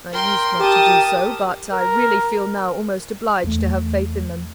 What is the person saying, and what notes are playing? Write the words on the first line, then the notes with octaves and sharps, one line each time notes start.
"I used not to do so, but I really feel now almost obliged to have faith in them."
A#4 G5 C6
G4 A5 D#6
A#4
E2 A3